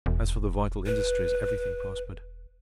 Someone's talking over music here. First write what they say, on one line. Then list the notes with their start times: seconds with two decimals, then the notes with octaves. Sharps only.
As for the vital industries, everything prospered.
0.06 E1
0.86 B4